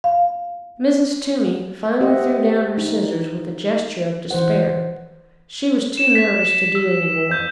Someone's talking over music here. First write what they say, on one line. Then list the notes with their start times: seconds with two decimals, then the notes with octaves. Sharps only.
Mrs. Toomey finally threw down her scissors with a gesture of despair. She was too nervous to do any more.
0.04 F5
2.01 G4 C5 D#5 E5 F#5
2.78 D#4
4.31 E3 C5 F#5
5.97 E7
6.15 B6
6.75 E6
7.31 G6